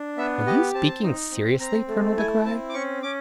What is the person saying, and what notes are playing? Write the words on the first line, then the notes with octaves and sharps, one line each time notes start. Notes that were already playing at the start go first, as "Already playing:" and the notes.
"Are you speaking seriously, Colonel De Craye?"
Already playing: D4
B3 E5
G4 D#5
C4 A5
D#4
C4
C4 A#5
A3
E4 G#5
C4 A5
D6
C#4 C#6
C#4 D6